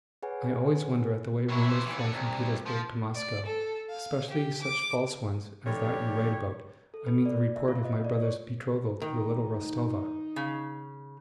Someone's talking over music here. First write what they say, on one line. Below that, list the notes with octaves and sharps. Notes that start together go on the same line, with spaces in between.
I always wonder at the way rumors fly from Petersburg to Moscow, especially such false ones as that you write about--I mean the report of my brother's betrothal to the little Rostova.
G#4 B4 C#5 F#5 G#5
F#3 E4
E3 C5
D#2 E3
A4 F#5
C2
F3
D5
A4
F5
G4
D6
F1 D3 G4 C#5
A4
B4
D5
E5
F4
D#5
D5
C#5
D#3 D#4
C#3